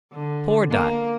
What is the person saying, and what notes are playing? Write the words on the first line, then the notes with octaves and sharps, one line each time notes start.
Poor Dot!
D3
A#3